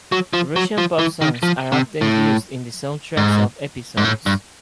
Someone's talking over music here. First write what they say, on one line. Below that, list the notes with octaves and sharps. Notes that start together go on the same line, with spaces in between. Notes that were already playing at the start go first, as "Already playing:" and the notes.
Russian pop songs are often used in the soundtracks of episodes.
F#3
F3
F#3
F3
E3
D#3
F3
C3
A2
G#2
G#2
A2
G2